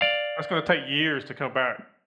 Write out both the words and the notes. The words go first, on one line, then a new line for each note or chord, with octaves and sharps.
that's gonna take years to come back.
D5 F5